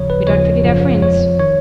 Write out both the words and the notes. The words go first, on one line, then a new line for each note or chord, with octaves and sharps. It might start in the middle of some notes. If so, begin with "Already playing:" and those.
We don't forget our friends.'
Already playing: D#2 C#3 F3 C#5
B4
D#2 C#3 F3 C#5
F#2 C#3 F3
F2 F3 C#5
D#3 C#5